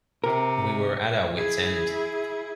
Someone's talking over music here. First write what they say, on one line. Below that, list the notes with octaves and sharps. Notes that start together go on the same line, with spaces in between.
We were at our wits' end.
C3 A#4
E4 G#4